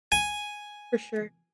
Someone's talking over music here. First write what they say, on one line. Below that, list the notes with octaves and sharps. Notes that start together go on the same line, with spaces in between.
For sure.
G#5